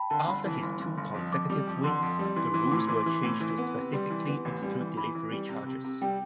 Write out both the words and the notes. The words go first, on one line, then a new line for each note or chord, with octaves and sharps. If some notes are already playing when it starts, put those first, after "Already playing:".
After his two consecutive wins, the rules were changed to specifically exclude delivery charges.
Already playing: G5 A5 B5
D3 A5
G1 B5
E3
G1
G1
G1
F2
F2 D6
G3
F2
D3 C6
F2
G3
E3 C6
E3 C6
A2 D6
E3 C6
E3
A2
E3
B3
C3
G3 C6
E3
B3
A1
G3
E3
E3 B5
E3
G3
C3
C3
C3
G3 G5